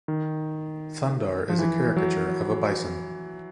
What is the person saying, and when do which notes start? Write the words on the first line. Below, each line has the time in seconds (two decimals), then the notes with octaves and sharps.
Thundar is a caricature of a bison.
0.08 D#3
1.49 F3
1.59 E3
1.97 F#3